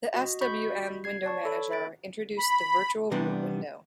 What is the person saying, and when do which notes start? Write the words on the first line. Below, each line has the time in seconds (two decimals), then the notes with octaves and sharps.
The swm window manager introduced the virtual root window.
0.14 F#4 D#5
0.41 F#4 D#5 B5 C#6 G6 B6
1.04 G#6 C7
1.23 C#5 D5 A5 C#6
1.45 A4 C#5 B5
1.71 E5 B5 A6 D7
2.38 B5
3.11 C3 E3 G3 B3 D4